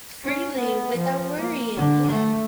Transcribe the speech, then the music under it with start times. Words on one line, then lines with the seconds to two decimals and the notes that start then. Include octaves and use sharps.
freely without worrying, yeah.
0.25 C#4
0.58 B3
0.97 F3
1.37 A#3
1.77 D3
2.12 A3